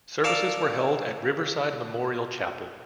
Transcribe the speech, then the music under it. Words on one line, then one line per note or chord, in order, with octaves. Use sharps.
Services were held at Riverside Memorial Chapel.
A4 A#4 D5 F5 A5